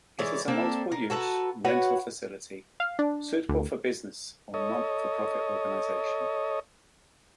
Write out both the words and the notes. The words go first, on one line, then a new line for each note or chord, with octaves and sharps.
It is a multiple-use rental facility suitable for business or not-for-profit organization.
E3 G#3 C#5 D5
A#3 C4 D4 A4
A#4
F#4 A4 B4 A#5
F#4 B4 C#5 F#5
F5
D4
D2
A4 C#5 D#5